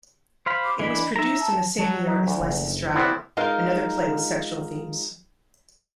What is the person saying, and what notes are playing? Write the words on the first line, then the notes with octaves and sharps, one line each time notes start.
It was produced in the same year as "Lysistrata", another play with sexual themes.
C5 F5 B5
D6
E3 D4 D#5 B5
D#4 E5 A#5
A5
F#3 A5
D#4
D2
F#1
G3 B3 C4 E4
G#3 D#4 F4 A#4 F5